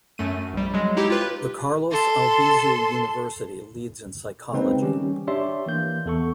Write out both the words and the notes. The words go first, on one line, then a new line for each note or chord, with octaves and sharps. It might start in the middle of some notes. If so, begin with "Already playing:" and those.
The Carlos Albizu University leads in psychology.
F#2 A3 D#7
A#1 G3
F#3 G#3
D#4 E4 G4
F4 G4 B4
A4 C6
C#3 G#3 A#3 C4 D#4 B4
D#3 G3 C#4 G4
D4 G4 C#5 D5 E5 C6
E3 A#3 G6
E2 A4 C#6